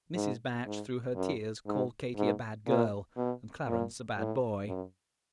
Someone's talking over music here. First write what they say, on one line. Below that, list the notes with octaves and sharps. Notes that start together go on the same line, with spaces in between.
Mrs. Batch through her tears called Katie a bad girl, and Clarence a bad boy.
G#2
G#2
F#2
G#2
G#2
A#2
B2
A#2
A2
F#2